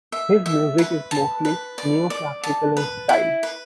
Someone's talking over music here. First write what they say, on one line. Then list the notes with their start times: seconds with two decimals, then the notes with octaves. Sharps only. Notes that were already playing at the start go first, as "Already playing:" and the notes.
His music is mostly neoclassical in style.
0.12 E5
0.46 E5
0.78 B4
1.11 A5
1.45 B4
1.78 D5
2.10 D5
2.44 A5
2.77 B4
3.09 E4
3.43 B4